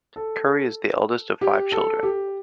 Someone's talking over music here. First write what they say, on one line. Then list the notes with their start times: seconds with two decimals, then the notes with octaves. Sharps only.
Curry is the eldest of five children.
0.16 A4
1.41 G4
1.72 A4
2.03 G4